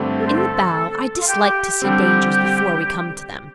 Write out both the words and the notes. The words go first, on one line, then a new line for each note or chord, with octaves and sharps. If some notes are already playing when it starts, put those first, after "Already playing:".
"In the bow; I dislike to see dangers before we come to them."
Already playing: G2 D3 A3 C4 G4
A4
C5
A4
F4
G4
D3 G3 C4 G4